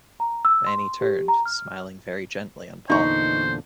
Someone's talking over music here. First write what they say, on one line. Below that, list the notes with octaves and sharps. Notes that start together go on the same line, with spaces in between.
Fanny turned, smiling very gently on Paul.
A#5
E6
C6
G4
A#5
F6
E2 A#2 D3 D#4 C5 C#6